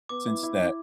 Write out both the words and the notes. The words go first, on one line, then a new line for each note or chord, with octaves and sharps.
since that
B3 D6
E4
E4
E4